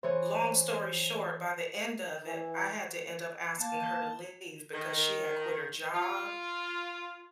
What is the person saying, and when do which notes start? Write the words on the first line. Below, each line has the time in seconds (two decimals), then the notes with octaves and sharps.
Long story short, by the end of it, I had to end up asking her to leave because she had quit her job.
0.03 E3 G#4 C5 C#5
2.27 E3
3.57 A#3 A5
4.74 D#3
5.94 F4